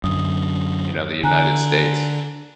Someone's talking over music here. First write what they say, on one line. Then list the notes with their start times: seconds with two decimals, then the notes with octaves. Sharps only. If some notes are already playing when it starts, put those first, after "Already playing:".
you know, t he United States.
0.04 F#2 D3 D#6
1.23 D3 G#5 A#5 F#6